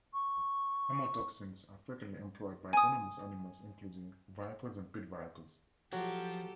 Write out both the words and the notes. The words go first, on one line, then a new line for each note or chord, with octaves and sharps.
Hemotoxins are frequently employed by venomous animals, including vipers and pit vipers.
C#6
G#5 D#6
F3 F#3 G4 A4